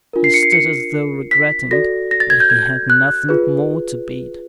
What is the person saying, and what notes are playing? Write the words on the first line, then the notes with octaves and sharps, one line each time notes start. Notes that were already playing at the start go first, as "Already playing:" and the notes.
He stood as though regretting that he had nothing more to beat.
D4 F4 A#4
C7
C#7
C7
C#7
B6
F#4 A4 D5 A#6
A#6
A6
G#6
G6
G#6
F#6
F4 G#4 B4